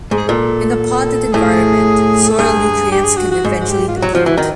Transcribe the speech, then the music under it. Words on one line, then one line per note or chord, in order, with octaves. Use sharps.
In a potted environment, soil nutrients can eventually deplete.
G#2
G#4
A#2 A4
A2 G#4
A4
G2 G#4
G4
G#4
F#4
F#4
G#2
F#4
G4
F4
F#4
F#3
F3
E3
D#3